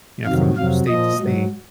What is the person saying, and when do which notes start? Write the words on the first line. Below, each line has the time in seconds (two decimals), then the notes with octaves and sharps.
you know, from state to state.
0.25 F2 C3 D#3 F#3 F5
0.56 F2 C3 F#3 F5
0.87 A#2 F3 D#5
1.19 G#2 F#3